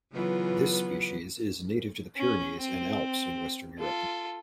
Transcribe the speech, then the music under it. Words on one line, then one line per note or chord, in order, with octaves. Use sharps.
This species is native to the Pyrenees and Alps in western Europe.
C#3 E3 F#3 B3 F4
C#4
C4
F4 A4